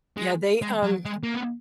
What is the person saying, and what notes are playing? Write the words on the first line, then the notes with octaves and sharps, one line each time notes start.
Yeah, they, um
G#3
G#3
F#3
G#3
A#3
B3